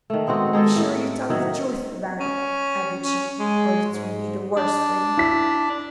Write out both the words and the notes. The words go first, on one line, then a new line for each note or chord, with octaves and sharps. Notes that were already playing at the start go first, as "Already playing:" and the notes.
'And be sure you tell the truth about it,' added she, 'or it will be the worse for you.'
D#3 A3
G#3 B3 C4 F#4
G#3 D#4 G4 A4
A2
D#3 F#3 D#4 E5
C#4
C#4
G#3
G#2
D4
E4 B6